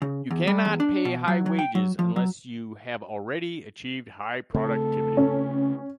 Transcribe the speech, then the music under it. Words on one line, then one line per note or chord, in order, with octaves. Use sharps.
You cannot pay high wages unless you have already achieved high productivity.
C#3
E2
G3
E2
D4
B2
F#3
F#3
G5
F#3
F3
F#3
C#3 A3 C4 A4
C#4